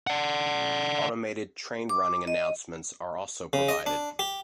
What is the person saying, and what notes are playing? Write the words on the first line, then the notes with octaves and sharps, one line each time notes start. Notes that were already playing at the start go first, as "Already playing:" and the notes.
Automated train running announcements are also provided.
D5 F#5
D6
D#5
C#3
D#5
D4
G4